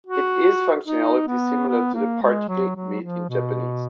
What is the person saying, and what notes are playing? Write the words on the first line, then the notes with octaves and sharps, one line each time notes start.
It is functionally similar to the particle "made" in Japanese.
F#4
D#4
B3
B3
A#3
G#3
F#3
F#3
F3
B2